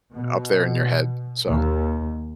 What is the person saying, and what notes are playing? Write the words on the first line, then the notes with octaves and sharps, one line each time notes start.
up there in your head. So,
B2
D#2